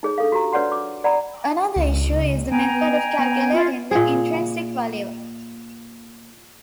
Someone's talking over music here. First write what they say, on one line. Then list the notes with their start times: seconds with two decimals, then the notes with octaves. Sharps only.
Another issue is the method of calculating the "intrinsic value".
0.03 D#4 G#4 C#5
0.18 D4 A4 F5
0.32 F#4 G4 A#5
0.53 D4 B4 C#5 D5 F#5 C6
0.69 F#4 D6
1.04 D5 F#5 G5 A#5 B5
1.76 C#2
2.52 B3 G5 G#5 A#5
3.19 B3
3.53 C#4 F4
3.91 A#2 G#4